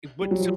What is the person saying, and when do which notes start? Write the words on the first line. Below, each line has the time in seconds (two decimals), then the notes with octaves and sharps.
Eh, what so
0.21 G3
0.31 F#3
0.40 F3